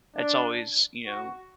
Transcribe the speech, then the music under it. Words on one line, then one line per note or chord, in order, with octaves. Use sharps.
it's always, you know,
D4
F#4